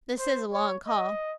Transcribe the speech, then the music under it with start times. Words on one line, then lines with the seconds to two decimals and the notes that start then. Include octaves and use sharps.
'This is a long call.
0.19 C5
0.53 C#5
0.87 D#5